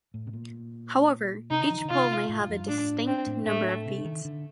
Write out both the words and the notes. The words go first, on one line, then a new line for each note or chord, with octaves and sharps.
However, each pole may have a distinct number of beads.
A2
C3
A#2
C3 D#4
D3
F3
D#3
D3
C3 F4
A2
G2
F2
G2
A2 D4
C4
A2
A2 A3
C3
D#3
D3